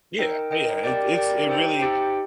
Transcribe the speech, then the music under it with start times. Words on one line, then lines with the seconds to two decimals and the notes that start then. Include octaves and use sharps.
Yeah, yeah, it's it's it really
0.19 D#4 A#4 D#5 G5
0.51 D#4 A#4 D#5 G5
0.84 G4 A#4 D5 G5
1.15 G4 A#4 D5 G5
1.47 D#4 G4 C5 G5
1.79 D#4 G4 C5 G5